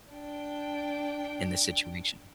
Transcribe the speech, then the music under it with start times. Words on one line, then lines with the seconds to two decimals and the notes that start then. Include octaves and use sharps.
in this situation."
0.13 D4 G5